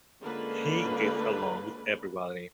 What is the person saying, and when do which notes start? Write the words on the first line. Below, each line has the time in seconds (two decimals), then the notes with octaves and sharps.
He gets along with everybody.
0.21 D3 G#3 A#3 C#4 F4 B4